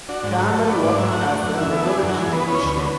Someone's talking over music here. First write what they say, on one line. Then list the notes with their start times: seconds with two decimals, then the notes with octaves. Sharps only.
Carmelle worked as a laboratory technician.
0.09 D4 F#4
0.23 G#2
0.38 F#3 A4
0.53 A3
0.63 A4
0.69 D4 B4
0.83 G#2 D5
0.98 F#3 E5
1.13 A3 F#5
1.28 D4 F#5
1.43 F#2
1.58 E3 E5
1.73 B3
1.83 A4
1.87 D4 G#4
2.03 F#2
2.09 F#4
2.17 E3 G#4
2.33 B3 B4
2.47 C#4 B4
2.55 C#5
2.61 D2 B4
2.77 D3